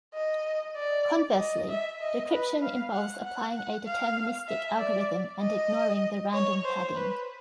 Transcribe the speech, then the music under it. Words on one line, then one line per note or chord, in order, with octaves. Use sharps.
Conversely, decryption involves applying a deterministic algorithm and ignoring the random padding.
D#5
D5
D#5
E5
D#5
B4
F5
F#5
F#5
F#5
F5
E5
D5
D#5
C#5
C5
B4